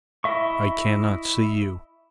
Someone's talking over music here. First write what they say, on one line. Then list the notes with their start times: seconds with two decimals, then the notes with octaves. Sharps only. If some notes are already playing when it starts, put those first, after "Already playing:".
I cannot see you.
0.24 E4 D#5 E5 C#6